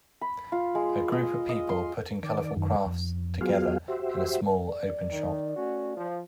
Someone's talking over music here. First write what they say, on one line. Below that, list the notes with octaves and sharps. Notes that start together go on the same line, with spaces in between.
A group of people putting colorful crafts together in a small, open shop.
B5
F4
G#3
D#5
D#5
C6
D#3 D5
F#2 D#3
F2
F#3 B3 F4 F#4 G#4 F5
F#4 G4 C5 E5
D5
D#3
A3 C#4 F#4
F3